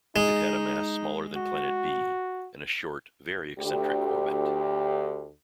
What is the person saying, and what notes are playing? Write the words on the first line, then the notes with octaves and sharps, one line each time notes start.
It had a mass smaller than planet b and a short, very eccentric orbit.
G#3 D#4
F#4
D2 G4